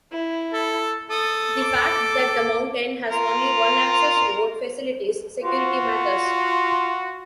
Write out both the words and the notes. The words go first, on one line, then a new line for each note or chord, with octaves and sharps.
The fact that the mountain has only one access road facilitates security matters.
E4
A4
A4 D#6
D6
F4 A#4
F4 F#4